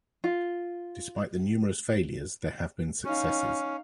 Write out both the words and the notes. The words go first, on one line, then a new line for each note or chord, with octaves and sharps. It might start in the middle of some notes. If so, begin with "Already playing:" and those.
Despite the numerous failures there have been successes.
F4
C#4 D#4 F5